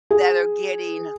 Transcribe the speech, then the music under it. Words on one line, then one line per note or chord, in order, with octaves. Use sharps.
that are getting
G#4